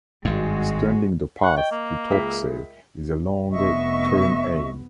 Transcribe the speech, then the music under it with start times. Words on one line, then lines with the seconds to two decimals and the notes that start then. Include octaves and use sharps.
Extending the path to Torksey is a longer term aim.
0.25 G#1 G2 G#3 F#4
1.43 F#5 C#6
1.57 D#5 G5
1.71 A#3
2.11 C#2 G#3 A#4 E5 B6
3.51 F1 B3 D#5 E5 C#6